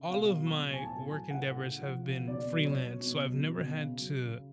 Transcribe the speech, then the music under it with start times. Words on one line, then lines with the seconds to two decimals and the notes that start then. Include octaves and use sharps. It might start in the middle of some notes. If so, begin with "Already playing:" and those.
all of my work endeavors have been freelance, so I've never had to
Already playing: C#3
0.10 B2 F5
0.34 F#3
0.47 C#6
0.59 B2
0.74 G#5
0.82 A2 A5
1.06 F#3 G#5
1.31 A2 F#5
1.56 C#3
1.79 F3
2.03 C#3
2.27 B2 D5
2.52 F#3
2.65 C#5
2.76 B2
3.01 B2
3.25 F#3
3.49 B2
3.73 C#3
3.97 F#3
4.22 C#3